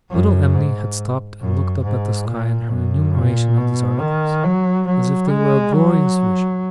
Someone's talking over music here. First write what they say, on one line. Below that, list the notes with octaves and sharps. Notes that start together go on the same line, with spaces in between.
Little Em'ly had stopped and looked up at the sky in her enumeration of these articles, as if they were a glorious vision.
F#2
G#2
F#2
G#2
A#2
F#2
A#2
B2
D#3
F#3
F#3
G#3
F#3